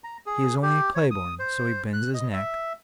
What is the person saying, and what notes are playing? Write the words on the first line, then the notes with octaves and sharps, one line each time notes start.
He is only a clay-born; so he bends his neck.
A#5
G#4
G4
C#5
D#6
C5
F#6
D#5
E5